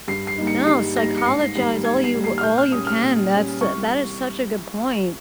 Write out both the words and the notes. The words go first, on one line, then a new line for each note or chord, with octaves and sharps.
No, psychologize all you w all you can, that's a that is such a good point.
G2 C7
C7
G3 A#3 D#4
C#7
G2 C7
G3 A#3 D#4 A#6
C#7
G#2 C7
C7
D#3 G3 A#3 C7
G#2 G#6
C7
D#3 G3 A#3
C7
F6
A#2 G6
F6
G3 C#4 D#6
F6
A#2
G3 C#4
C2 C#6